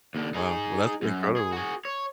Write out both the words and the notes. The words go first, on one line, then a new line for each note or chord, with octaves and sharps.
Wow. Well, that's incredible.
D#2 D3
D#4 G#4
F#2
G#4
F#4 G#4
C#5